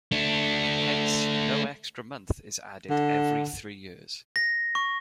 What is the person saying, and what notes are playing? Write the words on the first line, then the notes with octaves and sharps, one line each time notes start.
Hence no extra month is added every three years.
A3 D4
D3
A#6
C#6